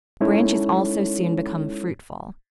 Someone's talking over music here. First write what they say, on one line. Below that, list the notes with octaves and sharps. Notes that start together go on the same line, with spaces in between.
Branches also soon become fruitful.
G#3 C#4 D#4 E4 A4 C#5